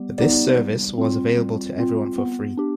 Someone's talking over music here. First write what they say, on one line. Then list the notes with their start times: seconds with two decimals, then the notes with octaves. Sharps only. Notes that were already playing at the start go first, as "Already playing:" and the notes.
This service was available to everyone for free.
Already playing: G3 B3 G4
0.18 B3 D#4 G4 D5
0.58 G3
0.98 C4 F4
1.37 G3
1.78 C4 F4
2.18 B3
2.57 D4 G4